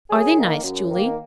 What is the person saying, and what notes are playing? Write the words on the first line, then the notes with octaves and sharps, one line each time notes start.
"Are they nice, Julie?"
F#2 G#4
D#3 A#3
F#2
D#3 A#3